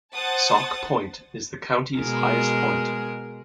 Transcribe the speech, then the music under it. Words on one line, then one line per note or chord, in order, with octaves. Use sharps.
Sauk Point is the county's highest point.
C5 F#5 A5 D#6 A6
B2 G#3 A#4